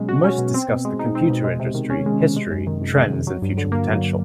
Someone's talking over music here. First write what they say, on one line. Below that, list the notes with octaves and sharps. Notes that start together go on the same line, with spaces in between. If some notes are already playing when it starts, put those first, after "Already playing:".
Most discussed the computer industry, history, trends and future potential.
Already playing: B2 F#3 G#3 C#4
F#4
C#4
B2
C4
B2
G#3
D#4
C4
B2
G#3
C3
D#3
C#4
G#3
C3
G#3
F#2
D#3
F#2
G#3
F#2
F#3
G2
D3
A#3
F#3